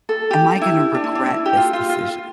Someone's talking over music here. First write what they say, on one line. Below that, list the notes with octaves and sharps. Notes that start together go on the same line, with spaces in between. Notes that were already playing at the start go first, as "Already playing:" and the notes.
"Am I gonna regret this decision?"
A4
G4
D4
E4
D4
E4
D4
E4
G4
F4
F4
F4